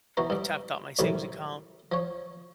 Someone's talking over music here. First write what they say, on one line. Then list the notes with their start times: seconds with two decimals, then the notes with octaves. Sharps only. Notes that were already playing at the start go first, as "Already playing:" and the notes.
I tapped out my savings account,
0.17 B2 E3 A#5 C#6
0.30 G2 D4
0.99 F#2 A2 C3 D#3 E3 G3
1.92 F3 C#5